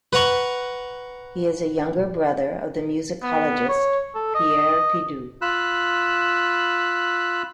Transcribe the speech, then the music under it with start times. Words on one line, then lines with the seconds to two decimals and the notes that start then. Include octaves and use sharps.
He is a younger brother of the musicologist, Pierre Pidoux.
0.13 B4 F#5 A#5 C#6
3.23 B3
3.69 C#5
4.15 A4
4.35 D#5
5.42 F4 B5 E6 F#6